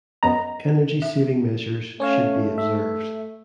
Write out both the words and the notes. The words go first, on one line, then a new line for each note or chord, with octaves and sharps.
Energy saving measures should be observed.
F#2 B3 D#5 A#5
E5
A3 C#4 C#5 F5
E5